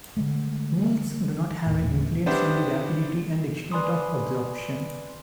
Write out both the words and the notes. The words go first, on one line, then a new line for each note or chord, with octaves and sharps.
Meals do not have an influence on the rapidity and extent of absorption.
D3 G#3 A3
D#1 G#1 A2
B3 D4 E4 G4 C5 G5
B4 D5 G#5 B5 C6 D#6